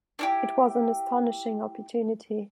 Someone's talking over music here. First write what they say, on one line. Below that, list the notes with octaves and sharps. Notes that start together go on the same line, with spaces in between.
It was an astonishing opportunity.
D4 E4 G4